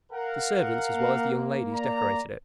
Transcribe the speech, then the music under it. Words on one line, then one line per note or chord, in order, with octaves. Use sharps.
The servants, as well as the young ladies, decorated it.
A#4 F5 F#5
A#3
D5 A#5